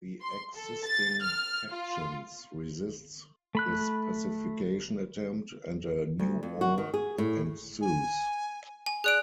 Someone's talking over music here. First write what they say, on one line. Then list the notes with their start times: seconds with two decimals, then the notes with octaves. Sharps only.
The existing factions resist this pacification attempt, and a new war ensues.
0.21 C6
0.54 A4
0.85 A6
1.22 F6
1.70 F4
3.55 A3 B5 F#6
6.19 D2
6.43 F2
6.61 F#4
6.78 D#3
6.94 G#4
7.18 A2
7.81 G#5
8.86 G#5
9.04 G#4 D5 F#6 D7